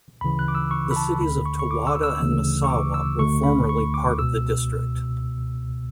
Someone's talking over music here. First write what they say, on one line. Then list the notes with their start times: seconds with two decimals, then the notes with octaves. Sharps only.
The cities of Towada and Misawa were formerly part of the district.
0.21 D2 C#3 E3 B5
0.39 F#6
0.48 D6
0.55 E6
0.71 C#6
0.91 B5
0.96 A5
1.21 D2 D3 B5
1.46 C#6
1.59 C#6
1.71 D6
1.87 E6
2.03 E6
2.21 D2 C#3 E3
2.64 C#6
2.70 D6
2.94 E6
3.19 D2 D3 C#6
3.44 B5
3.69 C#6
3.94 D6
4.18 C#2 B2 E6